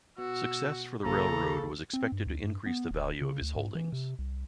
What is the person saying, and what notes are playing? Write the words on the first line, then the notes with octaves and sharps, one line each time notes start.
Success for the railroad was expected to increase the value of his holdings.
B2 F#4 E6
A#1 A#2 C#3 F3 A4 A#5
C4
G2
D2
G2
B3
D#1
C#3
D2
G#2
E3
C3
C2